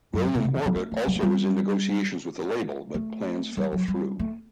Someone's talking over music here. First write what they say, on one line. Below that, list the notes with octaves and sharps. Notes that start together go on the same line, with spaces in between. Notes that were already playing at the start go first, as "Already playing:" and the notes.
William Orbit also was in negotiations with the label, but plans fell through.
F#2
A2
B2
C3
E3
F#3
A3
A3
G3
A3
G3
A3
G3
F#3
G3
A3